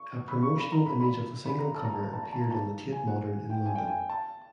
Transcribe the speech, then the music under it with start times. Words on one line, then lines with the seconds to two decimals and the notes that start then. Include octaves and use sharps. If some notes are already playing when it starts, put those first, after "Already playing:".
A promotional image of the single cover appeared on the Tate Modern in London.
Already playing: C#6
0.28 B5
0.43 C#6
0.57 B5
0.72 A#5
0.86 B5
1.01 B5
1.46 B5
1.59 A#5
1.75 A5
1.84 A#5
1.94 A5
2.03 A#5
2.13 A5
2.23 A#5
2.33 A5
2.41 A#5
2.51 A5
2.92 G#5
3.07 F#5
3.50 G5
3.66 G#5
3.75 G5
3.87 G#5
4.10 A5